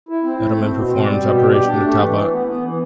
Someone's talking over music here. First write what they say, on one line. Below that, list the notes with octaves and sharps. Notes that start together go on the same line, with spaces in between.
Edelmann performs the operation on Talbot.
E4
C4
A3
C4
B2
C4
G3
B2
G4
G4
D4
A3
E3
E3
B3
B3
E3